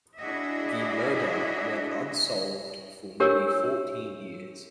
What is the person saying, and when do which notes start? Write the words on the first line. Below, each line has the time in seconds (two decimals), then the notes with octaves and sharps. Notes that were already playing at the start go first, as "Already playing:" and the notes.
The murder went unsolved for nearly fourteen years.
0.19 D4 E4 F#4 G#4 D#5 E5
3.20 D4 G4 A#4 C#5 E6